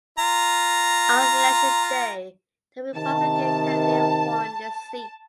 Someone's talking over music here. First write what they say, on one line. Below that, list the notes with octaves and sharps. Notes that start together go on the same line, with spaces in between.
On Election Day, the Republican candidate won the seat.
F4 A#5
C3 D#3 A5